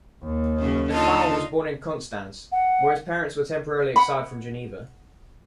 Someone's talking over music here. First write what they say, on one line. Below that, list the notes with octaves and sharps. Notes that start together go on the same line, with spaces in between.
Dufour was born in Konstanz, where his parents were temporarily exiled from Geneva.
D#2
F#2 C#3
D3 D#4 F4 A5
F#5
F#5 B5